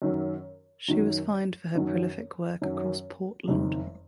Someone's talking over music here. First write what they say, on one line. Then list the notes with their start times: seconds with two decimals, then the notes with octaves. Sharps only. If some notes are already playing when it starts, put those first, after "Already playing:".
She was fined for her prolific work across Portland.
0.02 F#2 D#3 F#3
0.88 F#2 D#3 F#3
1.75 F#2 D#3 F#3
2.61 F#2 D#3 F#3
3.48 F#1 F2 D#3